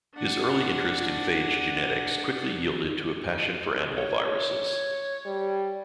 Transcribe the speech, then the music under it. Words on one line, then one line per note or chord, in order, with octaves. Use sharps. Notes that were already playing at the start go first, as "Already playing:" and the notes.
His early interest in phage genetics quickly yielded to a passion for animal viruses.
D4 F#5
C#5
G3